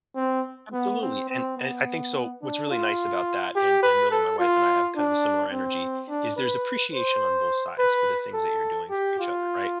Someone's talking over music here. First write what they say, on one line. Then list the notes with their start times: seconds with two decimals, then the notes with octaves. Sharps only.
Absolutely, and and I think so, what's really nice about that, and and really my wife and I have kind of a similar energy, is there's appreciation on both sides for the things that you're doing for each other, right?
0.16 C4
0.73 B3
1.01 C4
1.29 C4
1.57 B3
2.42 D4
2.71 F4
3.55 G4
3.83 B4
4.11 A4
4.40 F4
4.96 D4
5.52 C4
6.09 D4
6.37 B4
6.93 C5
7.78 B4
8.34 A4
8.90 G4
9.19 F4